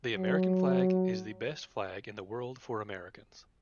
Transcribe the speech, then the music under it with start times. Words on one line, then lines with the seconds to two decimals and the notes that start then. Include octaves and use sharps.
The American flag is the best flag in the world for Americans.
0.15 F#3